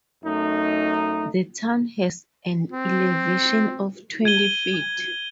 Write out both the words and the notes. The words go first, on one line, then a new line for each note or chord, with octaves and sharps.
The town has an elevation of twenty feet.
F#2 A3 D#4
C4
G#6 D#7 G7